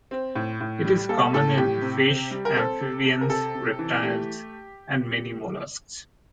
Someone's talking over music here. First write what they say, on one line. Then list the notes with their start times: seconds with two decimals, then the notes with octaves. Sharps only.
It is common in fish, amphibians, reptiles, and many molluscs.
0.11 C4
0.36 A2
0.61 A2
0.84 G3
1.09 A#3 A4
1.34 A2 A4
1.57 A2 G4
1.82 C3
2.07 C3
2.31 G3
2.45 A#4
2.55 C4 A4
2.81 C3
3.05 C3
3.21 A#4
3.29 C3 A4
3.55 C3
3.79 E3
4.03 A3 G4